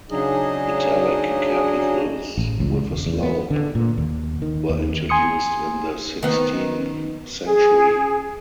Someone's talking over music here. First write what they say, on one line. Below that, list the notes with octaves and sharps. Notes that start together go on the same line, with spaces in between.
Italic capitals with a slope were introduced in the sixteenth century.
C#3 F#3 D4 D#4 G#4 D#5
A1
C#2
E1
E2
B3
D3
A#2
D#2
D#3
D#2
G#5 C6 D#6 C#7
D#3 B3
G#4